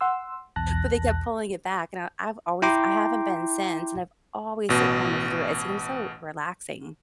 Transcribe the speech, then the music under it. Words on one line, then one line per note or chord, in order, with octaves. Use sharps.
But they kept pulling it back, and I I've always I haven't been since, and I've always se wanted to do it, it seems so relaxing.
F#5 C6 E6
B1 E2 A5 F#6 A#6
E4 G5 A#5 C6 D6
A1 B2